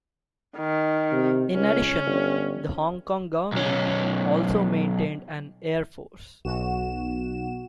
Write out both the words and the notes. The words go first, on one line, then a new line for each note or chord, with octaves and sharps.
In addition, the Hong Kong Government also maintained an "airforce".
D#3
C3
C#2 C#4
G1
B1 C#4
B1 F#4 E7